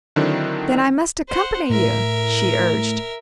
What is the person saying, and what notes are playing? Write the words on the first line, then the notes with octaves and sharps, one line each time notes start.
"Then I must accompany you," she urged.
D3 D#3 F#3 C4 D4 E4
C5 F#5
A2 A#4 E5